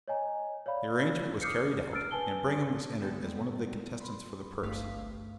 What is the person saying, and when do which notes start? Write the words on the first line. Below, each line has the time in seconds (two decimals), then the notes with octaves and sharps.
The arrangement was carried out, and Brigham was entered as one of the contestants for the purse.
0.08 C#5 D#5 G#5 A#5
0.66 C#5 D5 F5 B5
1.41 D6 D#6 F6 G6 C7 C#7
1.93 E6 F6 A6 D7
2.11 B4 G#5 A5 G7
3.00 D3 G3 G#3 B3 A4
3.98 B5 C6
4.63 G1 C2 G2 A3 F5 B6